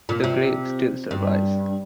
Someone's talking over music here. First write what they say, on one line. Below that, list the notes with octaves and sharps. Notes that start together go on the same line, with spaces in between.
The grave still survives.
A#2
C3
G2